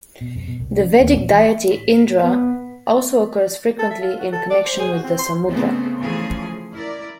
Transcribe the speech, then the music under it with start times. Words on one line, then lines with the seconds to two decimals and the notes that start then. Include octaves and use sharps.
The Vedic deity Indra also occurs frequently in connection with the Samudra.
0.21 B2
0.36 F2
0.48 B2
0.60 C2
0.80 C#3
1.00 D#2
1.14 A#1
1.31 E3
2.23 B3
3.79 A4
3.90 E5
4.03 F4
4.19 F#4
4.32 A4
4.50 D5
4.65 C5
4.80 G#4
4.92 F#4
5.04 C4
5.19 C6
5.48 C#3 A3 B3 C4
5.98 C#3 E3 F3 A3 G#4
6.73 E4 A#4 D5